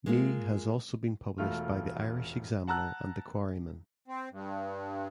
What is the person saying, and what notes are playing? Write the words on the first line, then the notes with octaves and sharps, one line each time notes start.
Mee has also been published by the "Irish Examiner" and "The Quarryman".
G#3 A#3 F4
E1 A3 F4 F6
F#5 A5 A#5 E6 F#6
C4
G2